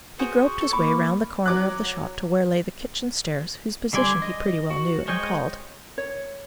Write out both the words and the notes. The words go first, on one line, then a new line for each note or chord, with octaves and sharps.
He groped his way round the corner of the shop to where lay the kitchen stairs, whose position he pretty well knew, and called.
F#4 G#4 B4 C5
C#6
A4
A#3 B5 D6
F#3 D6 F#6
D3 G3 D5 G#5 C6
D#5
F#4
G#3 C5 C#5 D#5 G5
C#5